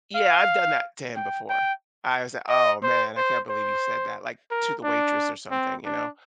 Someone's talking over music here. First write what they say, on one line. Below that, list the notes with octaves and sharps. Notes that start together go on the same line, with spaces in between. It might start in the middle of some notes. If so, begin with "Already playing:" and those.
Yeah, I've done that to him before. I was a "Oh, man, I can't believe you said that." like, to the waitress or something, you know,
F5
G5
G5
D#5
C5
C5
C5
A#4
D4
C4
D4